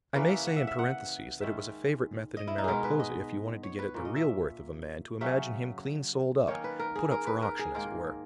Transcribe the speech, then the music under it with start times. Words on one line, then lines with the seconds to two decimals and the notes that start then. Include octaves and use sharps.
I may say in parentheses that it was a favourite method in Mariposa if you wanted to get at the real worth of a man, to imagine him clean sold up, put up for auction, as it were.
0.14 C#3 E3 A#3 C#4 B4
0.30 E5
0.47 F#5
0.56 E5
0.67 E5
0.79 F#5
1.41 D#3 G#3 C#4 E5
2.37 D#5
2.47 E4
2.58 D#4
2.64 B2 G#3 B3 G#4 A#4
2.84 B4
3.00 D#5
3.63 C#5
3.79 B4
3.94 A#2 A#3 C#4
4.05 D#5
4.16 E5
5.21 C#3 F#3 C#4 E5
6.48 D#3 A#3 C#4 C#5
6.64 B4
6.79 A#4
6.96 G#4
7.11 A#4
7.27 B4
7.42 A#4
7.59 G#4
7.74 G#2 D#3 A#3 A#4